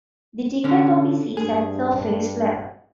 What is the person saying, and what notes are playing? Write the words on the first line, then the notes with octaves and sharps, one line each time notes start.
The ticket office is at surface level.
D3 C#4
G2 G#4